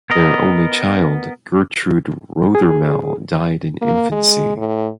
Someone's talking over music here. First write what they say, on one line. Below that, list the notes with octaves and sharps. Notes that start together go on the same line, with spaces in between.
Their only child, Gertrude Rothermel, died in infancy.
B3 A#4 D#5
G#4
A#3
G#3
A2